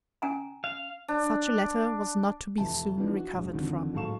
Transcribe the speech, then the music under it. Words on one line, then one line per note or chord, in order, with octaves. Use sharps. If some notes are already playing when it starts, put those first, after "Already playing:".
Such a letter was not to be soon recovered from.
C#4 G#5 A#5
F5
D4
F1 E3 E4 A5
E3 F3 B3 D4 D#4
F#4
E1 B1
F2 D3 D#3
D1 G#2 A4 F5 C#6 E7